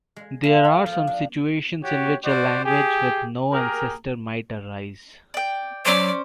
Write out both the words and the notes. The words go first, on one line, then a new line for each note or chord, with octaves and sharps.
There are some situations in which a language with no ancestor might arise.
G#3
A#3
A4
F3
D4
F#4 G4 C#5
F#4 C5 D5
G4 G#4
G4 G#4 A#4
D5 G5
F#3 C#4 C5 D5